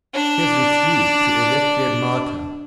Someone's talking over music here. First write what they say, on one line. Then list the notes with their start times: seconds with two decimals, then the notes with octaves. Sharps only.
She has refused to evacuate Malta.
0.14 D4 D5